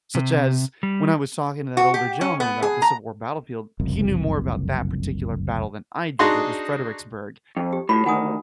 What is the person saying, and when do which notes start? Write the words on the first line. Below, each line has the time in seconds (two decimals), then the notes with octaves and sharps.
Such as, when I was talking to that older gentleman about the Civil War battlefield, he knew more about that particular battle than I did, it was Fredericksburg,
0.15 C3
0.83 G3
1.77 F#4
1.94 G4
2.21 C#4
2.40 B3
2.62 G#4
2.82 A#5
3.80 F#1 C2 F2
6.19 D4 D#4 F#4 G#4 C6
7.57 F2
7.73 G4
7.89 A2 F4 F#4 B5
8.06 D2 D#3 F#5 G#5 D#6